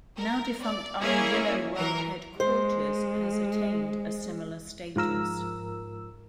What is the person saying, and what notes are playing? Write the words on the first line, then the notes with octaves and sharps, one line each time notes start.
Now-defunct Armadillo World Headquarters has attained a similar status.
A#4
D5
A#3 C#4 E4 G#4 A#4 C#5
E3 A#4
G#3 C5
G#2 F3 A#4 E6